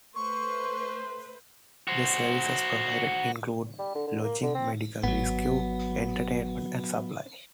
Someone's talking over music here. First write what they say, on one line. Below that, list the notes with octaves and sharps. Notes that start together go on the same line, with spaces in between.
The services provided include lodging, medical rescue, entertainment and supply.
A3 B4 C5 C6 C#6
F#4 C5
G3
D3
D3
A#3
D3
C4
G#1 F#3 B3